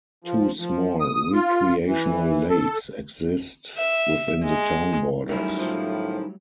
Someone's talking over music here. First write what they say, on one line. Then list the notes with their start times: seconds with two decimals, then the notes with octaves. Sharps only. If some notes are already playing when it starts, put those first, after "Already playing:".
Two small recreational lakes exist within the town borders.
0.24 F3
0.59 F3
1.00 D#6
1.34 F4
1.87 E3
2.49 A4
3.78 E5
4.43 G#3
5.29 D#3 F#3 G3 A3 C#4 E4
5.59 A2 F3